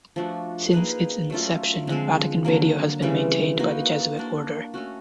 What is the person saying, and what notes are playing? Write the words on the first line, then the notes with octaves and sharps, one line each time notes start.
Since its inception, Vatican Radio has been maintained by the Jesuit Order.
F3 A3 D4 F#4
A#3 D#4 G#4 B4
F#3 A3 C#4 F4
D3 F3 G#3 C4
D3 F#3 A#3
C#3 E3 G3 C4
A#3 D#4 F#4 B4
A#3 D4 F#4
A3 C#4 F#4